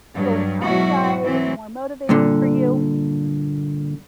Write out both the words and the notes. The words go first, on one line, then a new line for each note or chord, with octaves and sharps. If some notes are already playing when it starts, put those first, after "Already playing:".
going outside more motivating for you?
G2 F#3
G#2 B2 F#3 E4 F#4
E3 F#3 C4
G2 A#2 D3